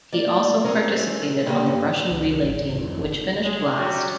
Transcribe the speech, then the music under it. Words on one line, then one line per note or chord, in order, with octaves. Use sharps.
He also participated on the Russian relay team, which finished last.
A#3 D5
C4 C#4 A#4
D#2 A#2 C#3 E3 G3 A#3
G2
C#2 F#3
C2
G#1
G#1 C#2
F1 D4
G#3
F#3 C#4 G4 D5